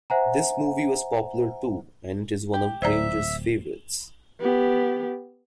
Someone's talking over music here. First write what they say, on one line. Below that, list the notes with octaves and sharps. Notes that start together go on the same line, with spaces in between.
This movie was popular too, and it is one of Granger's favourites.
C5 E5 F#5 G#5 A#5
G4
D1 C5 D5 E5 A#5
B3 G4